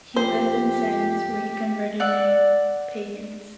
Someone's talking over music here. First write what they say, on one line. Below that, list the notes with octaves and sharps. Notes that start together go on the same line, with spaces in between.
He lived in Sens where he converted many pagans.
F2 G4 C5
D5 F#5 E6